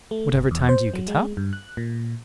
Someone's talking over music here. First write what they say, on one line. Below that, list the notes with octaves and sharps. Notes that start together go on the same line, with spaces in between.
"Whatever time do you get up?"
A3
G1
E2
C5
F#3
G#3
G2
F#6
A#2